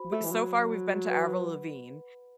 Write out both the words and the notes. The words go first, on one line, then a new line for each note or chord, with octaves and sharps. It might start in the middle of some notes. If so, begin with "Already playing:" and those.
w so far we've been to Avril Lavigne,
Already playing: F#4 C5 B5
A3
E3
F#3
B4 F#5 B5